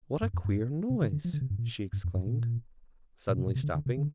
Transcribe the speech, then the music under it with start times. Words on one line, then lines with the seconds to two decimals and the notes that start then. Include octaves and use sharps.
"What a queer noise!" she exclaimed, suddenly stopping.
0.22 G2
0.34 F2
0.44 G2
0.90 C3
1.01 D3
1.12 D3
1.25 F3
1.33 D3
1.41 C3
1.50 G2
1.58 A#2
1.93 G2
2.04 F2
2.15 G2
2.27 A#2
3.29 A#2
3.37 C3
3.47 A#2
3.55 C3
3.63 D3
3.75 D3
3.86 C3
3.97 D3